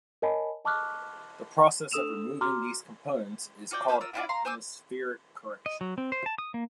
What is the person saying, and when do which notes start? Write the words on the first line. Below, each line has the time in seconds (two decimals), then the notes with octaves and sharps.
The process of removing these components is called atmospheric correction.
0.22 A#4 C#5 D#5 G#5 A5 B5
0.65 D#5 A5 C#6 D6 F6 F#6
1.91 D4 A4 D#6 E6 E7 F7
2.41 F#4 A#5 C6 D6 F6
3.71 F4 F#4 D5 G5
3.88 B4 C5 D#5 F5
4.01 F4 A#4 E6
4.14 D4 E4 F4 D5
4.29 F5 A#5 C6
4.45 C5 G#5 D6 E6
5.66 D#5
5.81 F#3
5.98 C4
6.12 C5
6.26 A5
6.38 D#6
6.54 A#3